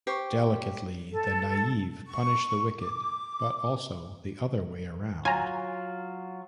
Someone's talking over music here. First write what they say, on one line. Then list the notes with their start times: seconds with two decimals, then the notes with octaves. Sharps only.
Delicately, the naive punish the wicked, but also the other way around.
0.07 G4 C5 C#6
1.12 A4
2.06 C#6
2.80 D6
5.25 F#3 F4 G#5 A#5